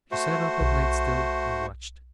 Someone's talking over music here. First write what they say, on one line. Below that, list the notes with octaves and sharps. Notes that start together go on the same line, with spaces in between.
She sat up at night still, and watched.
A3 F#4 C5
B1